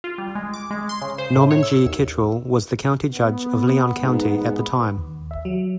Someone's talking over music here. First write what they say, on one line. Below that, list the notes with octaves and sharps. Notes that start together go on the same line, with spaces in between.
Norman G. Kittrell was the county judge of Leon County at the time.
F4
G3
G#3
D6
G#3
C6
C#3
C5
A2
C#5
E6
D#2
B3
G#2
D#2
E5
F#3